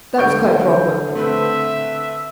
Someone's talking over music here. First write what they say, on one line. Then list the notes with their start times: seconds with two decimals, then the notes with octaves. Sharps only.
That was quite proper.
0.18 D3 C#6 G6 D7
1.15 A3 C4 B4 E5